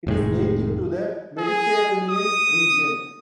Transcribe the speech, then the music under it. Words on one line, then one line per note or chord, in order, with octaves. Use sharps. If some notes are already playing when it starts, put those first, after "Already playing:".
It is native to the Mediterranean region.
F1 A2 D#3 G#3
G#4
D#6